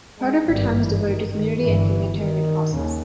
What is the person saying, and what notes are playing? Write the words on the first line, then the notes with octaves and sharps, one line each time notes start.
Part of her time is devoted to community and humanitarian causes.
G#3
G#1 G2 G3
E3
D#3
D#3
G1 G2 E3
D#3
D#2 C#3